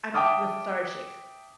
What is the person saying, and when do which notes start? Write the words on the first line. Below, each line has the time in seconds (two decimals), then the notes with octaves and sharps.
I'm lethargic.
0.14 E5 G5 A5 D6 D#6 F6